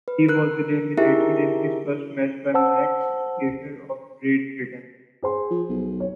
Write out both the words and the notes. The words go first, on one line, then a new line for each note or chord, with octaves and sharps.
He was eliminated in his first match by Max Cater of Great Britain.
B4
A#4 F#6
D#4 E4 G4 G#4 A#4 E5
C5 F#5 A5 E6
G#4 C5 C6
F3
B1
C#5